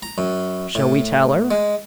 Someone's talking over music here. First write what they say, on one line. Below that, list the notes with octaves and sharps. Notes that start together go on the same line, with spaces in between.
"Shall we tell her?"
A#5
F#2
A2
G#3